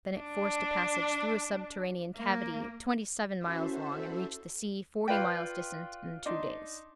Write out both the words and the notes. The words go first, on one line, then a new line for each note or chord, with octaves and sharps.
Then it forced a passage through a subterranean cavity twenty-seven miles long, and reached the sea forty miles distant, in two days.
D4
A#3
C#4 E4 F#4 A4 C5 E5
F4 B4 D5 G5
D4 D#4 D5 C6